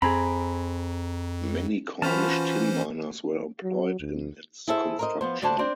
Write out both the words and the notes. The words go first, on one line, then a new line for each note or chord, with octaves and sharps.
Many Cornish tin miners were employed in its construction.
F2 C4 G#4 A#5 B5
E3 C#4 F4 F#4 C5 A5 B5 F6
F#3
D2
E4 G#4 A4 C5 E5
A#4 C5 D#5
F3 B3 C5
D2 D3 D4 F#4 C5 A5
C4 D4 C5